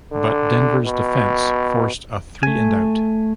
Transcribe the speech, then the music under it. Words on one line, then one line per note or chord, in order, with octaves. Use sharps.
But Denver's defense forced a three-and-out.
D3
B2
A3 G#5